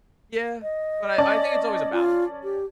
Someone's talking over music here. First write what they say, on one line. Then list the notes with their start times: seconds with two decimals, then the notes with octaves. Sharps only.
Yeah. But I I think it's always a balance, really.
0.62 D#5
1.18 C#4 D5 A5
1.93 F4
2.44 G4